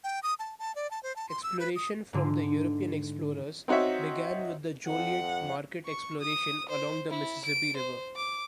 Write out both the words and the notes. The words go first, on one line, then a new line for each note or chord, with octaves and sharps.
Exploration from the European explorers began with the Joliet-Marquette exploration along the Mississippi River.
G5
D#6
A5
A5
D5
A5
C5
A5
C6
E6
B4
D#6
G#2 D3
C4 D#4 F#4 C#5 E5
F2 F#5
C#6
D#6
C5
E4
D7
C5
D6